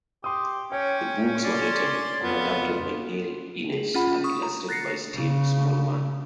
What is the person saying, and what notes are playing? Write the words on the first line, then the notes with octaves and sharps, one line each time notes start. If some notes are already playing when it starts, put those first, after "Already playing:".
The books were written or adapted by Neil Innes and illustrated by Steve Smallman.
G4 C6 D#6
C#4 C#5 G5
D5 C6
F2 B3 F4
G#4
C#4 F4 F#5 B5
C#6 D#6
A#5
F#6 A6 A#6 C7 C#7
C#3